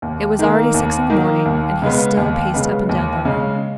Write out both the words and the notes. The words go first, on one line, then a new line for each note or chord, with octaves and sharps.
It was already six in the morning and he still paced up and down the room.
D#2
D#3 A#3
D#2
D#3 A#3
D#2
C#3 G#3 B3
D#2
C#3 G#3 B3
D#2
C#3 G#3